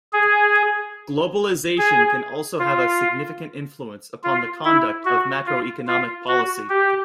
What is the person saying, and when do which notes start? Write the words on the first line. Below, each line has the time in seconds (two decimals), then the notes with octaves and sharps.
Globalisation can also have a significant influence upon the conduct of macroeconomic policy.
0.13 G#4
1.78 G#4
2.59 F4
4.24 F4
4.65 E4
5.05 F#4
5.46 F4
5.88 F4
6.28 F#4
6.69 G4